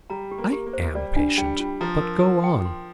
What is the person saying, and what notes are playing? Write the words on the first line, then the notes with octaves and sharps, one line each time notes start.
"I am patient, but go on."
G3 A#5
G4
A#3
G4
A#3
C5
G3 D5
D4
G3 G5
F4
F3 A#5
A#4
A#4
G5
C6